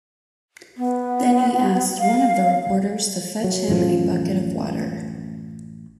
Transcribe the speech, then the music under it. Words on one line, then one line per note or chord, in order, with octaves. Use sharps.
Then he asked one of the reporters to fetch him a bucket of water.
B3
F5
F#3
A1 F#2 A2 F3